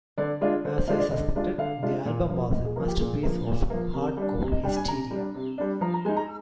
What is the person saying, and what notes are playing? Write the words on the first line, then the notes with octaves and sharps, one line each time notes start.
As I suspected, the album was a masterpiece of hardcore hysteria.
D3 D5
G#3 D4 F4
D3 C5
C5
G#3 D4 F4 C5
D5
D3 D#5
G#3 D4 F4
D3 F5
G#3 D4 F4
A#2
F3 A#3
A#2 D#5
G#4
F3 A#3 A#4
G4
A#2 G#4
F3 A#3
A#2
F3 A#3
C3 A#4
G3 D4
C3
D#5
G3 D4 G5
G#5
C3 A#5
G3 D4
C3
G3 D4
F3 A#5
A#5
G#3 D#4 G#5
A#5